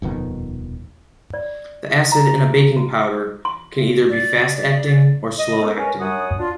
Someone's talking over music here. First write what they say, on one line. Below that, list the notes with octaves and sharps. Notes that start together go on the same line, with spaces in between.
The acid in a baking powder can be either fast-acting or slow-acting.
D#1 F2 B2 D#3
D5
A#5
F#4
C6
D5
D5
D#5
D#3 G#3 B3 D4 D#4 A4
C#4 A#4 B4
F#2 D4 C#5 F#5 D#6
D4 F4